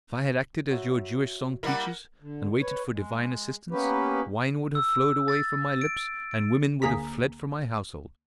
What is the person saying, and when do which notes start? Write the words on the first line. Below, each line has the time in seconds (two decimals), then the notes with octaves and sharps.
If I had acted as your Jewish song teaches, and waited for divine assistance, wine would have flowed away from my lips, and women would have fled from my household.
0.71 F#4 C#5 E5
1.63 G3 A#3 E4 A#4 F#5
2.21 D3
2.60 B4 C#5
2.92 G#3
3.71 A#3 B3 C#4 G4 B4
4.75 E6
5.28 A6
5.82 D7
6.31 D7
6.82 D2 A#3 G#4 A#5 B6